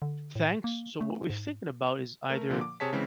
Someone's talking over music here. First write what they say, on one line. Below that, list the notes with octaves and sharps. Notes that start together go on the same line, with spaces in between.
"Thanks." So, what we're thinking about is either
D3
A2
A#3
A3
G#2
A3 A#4
A#2 D3 F3 A#3
D6
C3 G#4 C#5 A5 B6
C#3 E3 G#3 C4